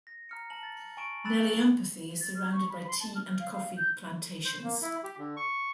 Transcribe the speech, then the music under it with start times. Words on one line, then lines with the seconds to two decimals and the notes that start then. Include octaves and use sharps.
Nelliampathy is surrounded by tea and coffee plantations.
0.07 A#6
0.29 A#5 F6 C#7
0.50 A5 F#7
0.63 A6
0.97 G#5 C#6 D7 E7
1.25 B5 D6 E6 F#6 A6 E7
2.21 A6
2.35 F6
2.52 C#6
2.69 B5
2.88 C6
3.00 A5
3.15 F6
3.40 F5
3.52 F5
3.77 G6
4.45 C5
4.64 A#3
4.82 E4
5.04 G4
5.18 D3
5.37 C#6